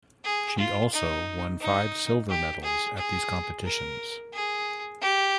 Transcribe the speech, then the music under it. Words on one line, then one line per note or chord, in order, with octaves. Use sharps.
She also won five silver medals at these competitions.
G#4
F4
D#4
D#4
G4
G#4
G#4
A#4
G#4
G4